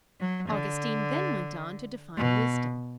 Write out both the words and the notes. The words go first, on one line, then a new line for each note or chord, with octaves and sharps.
Augustine then went on to define wisdom.
F#3
D3
B2